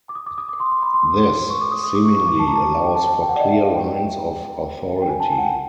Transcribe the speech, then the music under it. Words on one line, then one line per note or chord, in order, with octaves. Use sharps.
This seemingly allows for clear lines of authority.
D6
D#6
D6
D#6
D6
C6
C6
B5
C6
C#6
D6
D#6
D#6
D6
C#6
C#6
D6
A5
A#5
A5
G5
A5
A5
G5
F#5
D5
D#5
E5
F5
G5
G5
G5
G#5
A5
G#5
F#5
G5